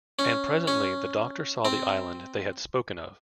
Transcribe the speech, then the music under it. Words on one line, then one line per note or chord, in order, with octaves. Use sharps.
And presently the Doctor saw the island they had spoken of.
C#4
C#4
C4